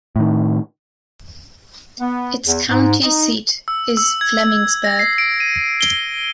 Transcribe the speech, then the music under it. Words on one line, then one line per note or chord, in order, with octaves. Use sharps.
Its county seat is Flemingsburg.
A2 D#3
B3
E2
G#2
D#4
E6
E6
G#6
A#6
C7
D7
D#7
G7